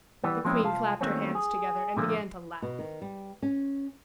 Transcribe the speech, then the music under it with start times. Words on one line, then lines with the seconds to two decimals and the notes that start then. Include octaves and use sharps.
The queen clapped her hands together, and began to laugh.
0.24 E3 G3 B3
0.45 F3 G#3 A#3 C4 C#4 E4
0.62 C2 F4 F5 A5
1.01 D#3 F#3 A3 A#3 C4 C#4
1.35 G#4
1.97 A#2 D3 F3 A3 A#3
2.62 B2
2.79 D#3
3.02 G3
3.42 C#4